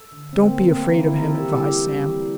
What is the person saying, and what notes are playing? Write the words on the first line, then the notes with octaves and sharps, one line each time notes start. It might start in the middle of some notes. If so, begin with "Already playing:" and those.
"Don't be afraid of him," advised Sam.
Already playing: A4
D3
D3 C4
A#3
A3
C4
A#3
C4
D3
E4
C3 A#4
A4
E3
G4
G3 G4
C3
G3
E3